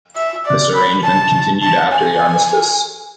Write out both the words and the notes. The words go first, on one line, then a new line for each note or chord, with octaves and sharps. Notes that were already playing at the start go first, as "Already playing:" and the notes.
This arrangement continued after the armistice.
E5
D5
B5
A5
A5
G#5